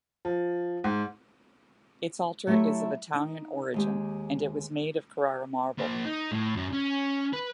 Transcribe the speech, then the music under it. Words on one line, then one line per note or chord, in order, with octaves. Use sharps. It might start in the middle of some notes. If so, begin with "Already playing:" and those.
Its altar is of Italian origin, and it was made of Carrara marble.
F3
G#2
F#3 A3 E4 G4 A4 C#5
D#4
D#2 G#3 G4
A#3 C5
D#4
A2
F#2
C#4
B4